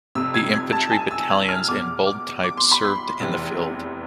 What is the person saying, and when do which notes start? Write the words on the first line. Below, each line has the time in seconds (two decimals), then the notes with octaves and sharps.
The infantry battalions in bold type served in the field.
0.15 F1 F2 C3 E6
0.34 G#6
0.54 G#6
0.72 A5
0.91 G#5
1.11 E6
1.30 G#6
1.49 F6
1.68 E2 B2 D6
2.06 D6
2.44 D6
2.57 C6
2.72 B5
2.85 C6
3.20 F1 E2 C3 E3